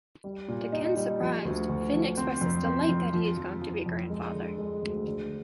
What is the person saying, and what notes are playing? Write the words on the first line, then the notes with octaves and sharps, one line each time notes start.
To Ken's surprise, Fin expresses delight that he is going to be a grandfather.
G3
A#2
D#4
G3
F3
D2
D2
F3
C4
F2
C4
F2
F3
F3
F3
F2
G#3
D3
G#3
D2
D3